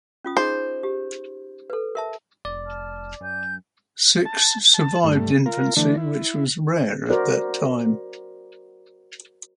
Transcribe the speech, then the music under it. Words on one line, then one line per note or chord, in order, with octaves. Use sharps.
Six survived infancy, which was rare at that time.
C#4 F4 D#6
D#4 G#4 C5 D#5
G4
A4 B4
A#4 E5 A5
F1 D5
A5 F6
F#2 G#5 G6
A5
A5
G2 A3
F4 A#4
D3 E3 A3 D4
E4
F#4 A#4 C5 D5